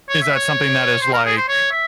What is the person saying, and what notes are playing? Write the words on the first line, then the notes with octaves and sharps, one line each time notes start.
is that something that is like,
C#5
E5
C#5
C5
A#4
G#4
C5
C#5
E5